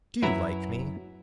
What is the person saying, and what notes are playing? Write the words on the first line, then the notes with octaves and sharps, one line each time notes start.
"Do you like me?"
F#2 F#3 E4 B4 E5 A#5